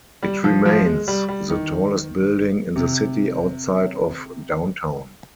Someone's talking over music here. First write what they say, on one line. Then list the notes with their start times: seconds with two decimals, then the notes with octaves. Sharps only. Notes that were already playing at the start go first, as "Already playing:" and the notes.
It remains the tallest building in the city outside of Downtown.
0.23 G3
0.44 F3
0.65 F3
0.85 G#3
1.08 G3
1.28 G3
1.50 D#3
2.76 C3